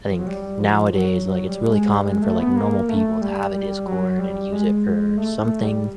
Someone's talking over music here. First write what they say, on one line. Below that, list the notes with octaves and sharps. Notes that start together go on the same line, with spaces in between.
I think nowadays, like, it's really common for, like, normal people to have a Discord, and use it for something,
F3
F#3
G3
F3
F#3
F#3
G3
G#3
G3
G#3
A3
B3
A#3
A3
G3
G3
F#3
G3
G#3
A3
A3
G3